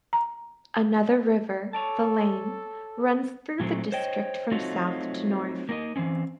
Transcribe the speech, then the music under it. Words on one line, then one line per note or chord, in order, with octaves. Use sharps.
Another river, the Leine, runs through the district from south to north.
A#5
A4 C#5 D5 A5
A#2 F#3 A3 C4
C5 C#5 D#5 G5
F#3 A3 C4 D#4 F4 F#4
A#3 D#4 A#4 D#5
E3 F3 C4 C#4